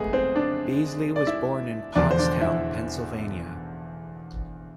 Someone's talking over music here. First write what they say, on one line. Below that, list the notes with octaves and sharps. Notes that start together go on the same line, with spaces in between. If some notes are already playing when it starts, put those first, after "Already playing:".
Beasley was born in Pottstown, Pennsylvania.
Already playing: F1 G#3 A3 B3 G#4
C4 C5
D4 D5
D5
E4 E5
E1 E2 D3 F3 D4 D5
C5
D4 D5
E4 E5